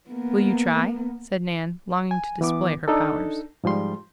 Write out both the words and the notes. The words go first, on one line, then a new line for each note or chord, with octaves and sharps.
"Will you try?" said Nan, longing to display her powers.
A#3 B3
G#5
E3 B3 D6
D4 D#4 A4
G#2 F3 G3 C6